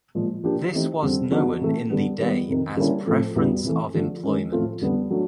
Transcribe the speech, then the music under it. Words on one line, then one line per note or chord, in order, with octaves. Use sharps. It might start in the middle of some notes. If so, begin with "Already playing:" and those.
This was known in the day as Preference of Employment.
A#2 F3 G#3
F3 A#3 D4 G4
E3 A3 C4 D#4 G4
F2 D3 G3 C4
D3 F#3 B3 D#4 F#4
C3 E3 A3
D3 G3 B3
D#3 G3 B3
F2 C3 D#3
D3 G3 A#3 C#4 E4
A2 F3 A3 C4
E2 B2 G3 B3 E4
C3 E3 A3
D3 F3 A3
D#3 G#3 C#4
A2 F3 A3 C4 F4
F2 D3 G3 B3
F#3 A3 D4